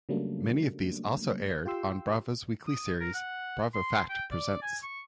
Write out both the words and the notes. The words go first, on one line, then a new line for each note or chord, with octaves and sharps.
Many of these also aired on Bravo's weekly series "Bravo!Fact Presents".
C#3 F#3 G3 A3 A#3 D4
F4 G4 G5 C6 E6
D#6
A#4
F#5
C6
G5
D5
G#5
C#6